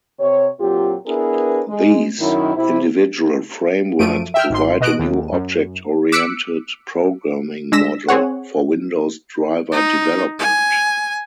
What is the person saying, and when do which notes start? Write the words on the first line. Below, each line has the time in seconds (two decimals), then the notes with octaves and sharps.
These individual frameworks provide a new object-oriented programming model for Windows driver development.
0.19 C3 C#5
0.59 A#2 F#3 C4 F4 G4
1.06 B3 D4 E4 G#4 A#4 B4
1.69 G#3
2.20 F#2 D#3 E4
2.56 C3 E4
3.99 F#2 F3 A3 D7 D#7
4.34 E5 G5 E6 F6
4.50 G#1 G#2 C6
4.80 B2 D#5 F#6 D7
4.99 D#2
5.32 F#2
6.12 D6 E6 F#6 B6 C#7 D7
7.72 G#3 D4 E6 A#6 B6 E7
8.08 C4 G#4 C#5 F#5
9.72 D#4
10.39 G#5